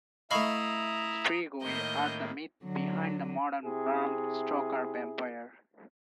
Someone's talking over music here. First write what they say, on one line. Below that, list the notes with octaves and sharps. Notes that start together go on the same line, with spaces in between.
Strigoi are the myth behind the modern Bram Stoker vampire.
A3 E4 D#5 F5 A#5 B5 C#6 D#6
A2 D#3 A#3 D#5 G6
D3 F#3
C3 E4 G#4